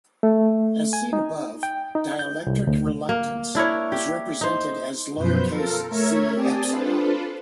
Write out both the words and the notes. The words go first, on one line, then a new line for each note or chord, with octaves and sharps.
As seen above, dielectric reluctance is represented as "lowercase z epsilon".
A3
G#5
D#4
G5
D#4
G6
C2
D2
A#3
D4 E4 A#4 C#5
G4
D#4 C5
F#2 B2 F3 B4 C5 G6
F4 A4 A#4
A3 A#4 C#5 E5 G#6
C4 G4 D5 G#5 A5 D#6
D4 F4 A4 B4 C5